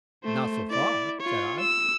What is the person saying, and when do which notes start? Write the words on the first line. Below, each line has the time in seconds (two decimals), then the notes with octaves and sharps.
"Not so far," said I.
0.24 A3 C5
0.69 E4 D5
1.21 F4 C#5
1.60 E6